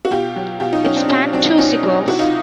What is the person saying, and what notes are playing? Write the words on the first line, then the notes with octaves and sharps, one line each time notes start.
It spanned two sequels.
F#4
B2 F4 G4
F#3
B2 F4 G4
D#4 F4
F#3 C#4 D#4
C4 D4
B2 C#4
F#3 C4 D4
B2 C#4 D#4
F#3
C3 E4 F#4
D#4 F4